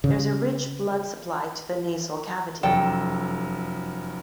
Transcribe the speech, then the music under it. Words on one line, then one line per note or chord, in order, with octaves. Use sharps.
There is a rich blood supply to the nasal cavity.
C#3
F1 F#2 A4 G5